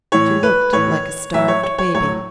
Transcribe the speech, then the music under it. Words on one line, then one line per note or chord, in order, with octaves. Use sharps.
She looked like a starved baby.
A2 E3 C#5
B4
A2 E3 C#5
A2 F#3 E5
C#5
C#5
C#5
A2 F#3 C#5